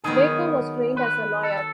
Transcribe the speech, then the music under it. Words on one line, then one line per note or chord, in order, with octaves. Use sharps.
Baker was trained as a lawyer.
D#3 F#3 B3 G#4
B4
A4